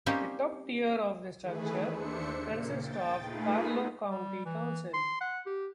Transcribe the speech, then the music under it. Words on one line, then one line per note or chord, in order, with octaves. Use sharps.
The top tier of the structure consists of Carlow County Council.
G3 A#3 C4 C#4 D#4 G4
D#3 E3 A3 G#4 B4
D#2 D4 C5 E5 C#7
A#2 C#3 A#3
G5 A6
A3 D#4 F4 G#4 B4
G3
E3
C6
F#5
G4